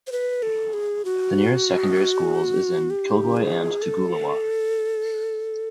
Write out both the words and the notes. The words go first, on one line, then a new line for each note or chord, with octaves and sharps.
The nearest secondary schools is in Kilcoy and Toogoolawah.
C5
B4
A4
G#4
F#4
G4
G#4
A4